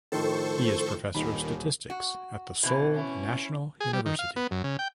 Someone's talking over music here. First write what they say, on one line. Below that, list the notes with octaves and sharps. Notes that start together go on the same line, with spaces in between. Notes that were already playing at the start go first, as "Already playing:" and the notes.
He is Professor of Statistics at the Seoul National University.
A2 D#3 F3 A4 C5 C#6
D#1 D#3 B5
F#4
B2 E3 C4
C#4 E4
G#4
G3
D#3
F5
B3
F#2
C#3
G5